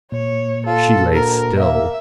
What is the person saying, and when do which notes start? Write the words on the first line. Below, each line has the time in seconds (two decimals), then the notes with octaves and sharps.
She lay still.
0.12 A#2 C#5
0.67 F4 A4
1.13 D2 A#4
1.59 A#3 E5